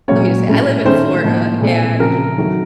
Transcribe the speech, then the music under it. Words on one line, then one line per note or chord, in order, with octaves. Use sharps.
let me, just, say, I live in Florida, and
A#2 F#3 A#3 C#4 C#5
A2 A3 C#4
D#3 A3 C#4 C5
A2 F3 A#3
A#2 A3 C4
C#3 F3 C4 A#4
D#3 F#3 A3